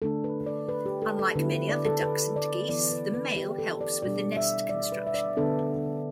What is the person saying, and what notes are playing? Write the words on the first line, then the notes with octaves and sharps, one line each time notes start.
Unlike many other ducks and geese, the male helps with the nest construction.
D3 A3 D4 A4
B4
D5
B4
G4
A4
A4
D3 B3 E4 B4
B4
D5
A4
B4
D5
E3 B3 E4 D5
B4
B4
G4
A4
D5
B2 G3 D4 D5
E5
D5
B4
E5
D5
D3 B3 D4 A4